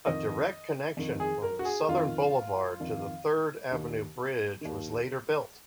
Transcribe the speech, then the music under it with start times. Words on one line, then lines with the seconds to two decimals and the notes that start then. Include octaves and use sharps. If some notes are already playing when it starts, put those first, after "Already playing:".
A direct connection from Southern Boulevard to the Third Avenue Bridge was later built.
0.06 F2 D#3 D#5
0.97 F2 D#3
1.20 G#4
1.43 A#4
1.59 F#4
1.65 G#4
1.89 F2 D#3 F4
2.80 F2 D#3
3.71 D#2 D#3
4.61 D#2 D#3